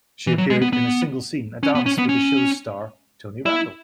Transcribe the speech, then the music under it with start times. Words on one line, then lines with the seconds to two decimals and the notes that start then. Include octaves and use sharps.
She appeared in a single scene, a dance with the show's star, Tony Randall.
0.27 E3
0.38 F#3
0.50 G#3
0.61 B3
0.73 B3
1.63 C#4
1.75 B3
1.86 C#4
1.98 B3
2.09 C#4
3.46 E4